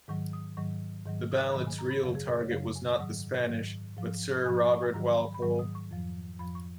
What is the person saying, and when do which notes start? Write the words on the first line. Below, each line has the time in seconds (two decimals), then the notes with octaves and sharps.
The ballad's real target was not the Spanish but Sir Robert Walpole.
0.08 G#2 D#3 F#3 C#6
0.33 D#6
0.57 G#2 D#3 F#3 C#6
1.05 G#2 D#3 F#3
1.32 D#6
1.42 C#6
1.54 G#2 D#3 F#3 B5
1.67 G#5
1.79 A#5
1.90 B5
2.03 F#2 C#3 F#3 F5
2.15 G#4
2.27 A#4
2.39 C#5
2.51 F#2 C#3 F#3 F5
2.76 G#5
2.99 G#2 D#3 F#3 F#5
3.48 G#2 D#3 F#3
3.97 G#2 F3
4.46 G#2 G#5
4.50 F3
4.57 A#5
4.70 B5
4.82 G#5
4.94 G#2 D#3 F#3 A#5
5.18 B5
5.34 B5
5.42 G#2 D#3 F#3 C#6
5.59 D#6
5.75 C#6
5.91 F2 F3
6.39 F2 F3 B5
6.55 C#6